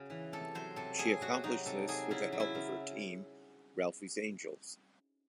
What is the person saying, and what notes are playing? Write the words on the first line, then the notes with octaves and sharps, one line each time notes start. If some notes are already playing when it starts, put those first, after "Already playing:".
She accomplished this with the help of her team, "Ralphie's Angels".
Already playing: C#3 F#4
E3
C3 A4
F#3 C5
C3 A4
F#3 G#4
C3 F#4
F#3 D#4
C3 A4
F#3 G#4
C#3 E4
F#3
E4
C#3